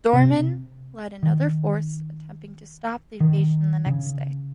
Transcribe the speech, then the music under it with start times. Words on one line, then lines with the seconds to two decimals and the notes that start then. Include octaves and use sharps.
Doorman led another force attempting to stop the invasion the next day.
0.13 C3
1.23 D#3
3.20 D#3
3.86 C#3